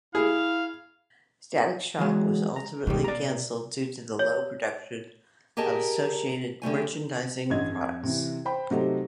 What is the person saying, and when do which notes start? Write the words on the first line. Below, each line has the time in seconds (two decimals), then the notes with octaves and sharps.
"Static Shock" was ultimately cancelled due to the low production of associated merchandising products.
0.15 E4 G#4 F5
1.99 E3 F#3 G#3
2.56 A#5
2.87 G#2 B2 D#3 G3
3.04 D5 A#5
4.19 C#5
5.57 G4 G#4 A#4 D#5 A5
6.62 D3 G3 A3 G#5
7.50 A1 G2 D#5 G#6
7.72 F2
8.03 C3 E3
8.45 C5 G5 B5
8.70 C3 F#3 A3 D#4 G4 C5